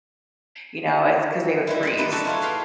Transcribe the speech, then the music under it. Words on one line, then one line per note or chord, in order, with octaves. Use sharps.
you know? It's 'cause they would freeze,
G3 G#3 E4
B3 E4 B5
G3 D#4 G4 B4 D5
F#4 G4 A4 B4 E5 A5
E4 F4 C#5
G#4 B4 F5 G5